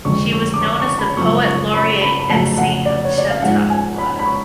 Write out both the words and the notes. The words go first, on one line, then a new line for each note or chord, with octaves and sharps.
She was known as the "Poet Laureate and Saint of Chautauqua".
F2 D3 G#3 C#6
C#6
D6
C#6
C#6
B5
F#2 C#3 F3 G#3 C#6
C#6
B5
B5
B5
F2 C#3 F#3 A3 A5
F#5
D5
C#5
D5
F5
G#2 F3 G#3 F#5
G#5
B5
B5
C#6